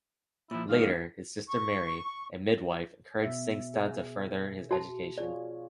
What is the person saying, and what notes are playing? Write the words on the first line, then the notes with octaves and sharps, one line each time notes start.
Later, his sister Marie, a midwife, encouraged Singstad to further his education.
A#2 F3 E4
D#2 D#3 G#3 F5
C#6
B2 E5
G#4
F#4 A5
F4 G#4 C#5 D5